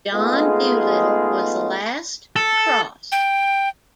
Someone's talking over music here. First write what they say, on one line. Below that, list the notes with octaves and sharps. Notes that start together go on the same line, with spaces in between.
John Dolittle was the last to cross.
G#3 A3 B3 D#4 F4 G#4
A4
G5